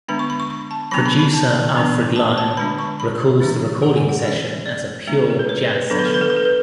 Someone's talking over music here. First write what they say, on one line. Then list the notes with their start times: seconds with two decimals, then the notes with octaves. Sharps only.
Producer Alfred Lion recalls the recording session as a "pure" jazz session.
0.08 D3 G#3 B3 D4 B5
0.19 C#6
0.30 B5
0.40 C#6
0.50 C#6
0.71 A5
0.91 F#3 B3 D4 B5
1.06 B5
1.19 B5
1.33 A5
1.75 E3 B3 D4
2.16 A5
2.38 A5
2.57 D3 G#3 D4 B5
2.79 C#6
3.00 B5
3.40 E3 G#3 D4
3.82 F#5
3.96 G#5
4.09 F#5
4.24 E3 G#3 C#4
4.66 D5
5.07 G#3 B3 D4
5.30 A4
5.39 B4
5.49 C#5
5.70 B4
5.90 D3 F#3 B3 D4 A4
5.99 B4
6.06 A4
6.14 B4
6.21 A4
6.30 B4
6.37 A4
6.45 B4